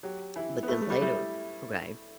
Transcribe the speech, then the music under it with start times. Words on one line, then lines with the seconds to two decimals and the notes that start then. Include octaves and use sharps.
But then later, okay,
0.03 F#3 G4
0.36 E3 E4
0.63 B3
0.68 A3 A4
0.82 A3
0.90 G3
1.01 G3 E4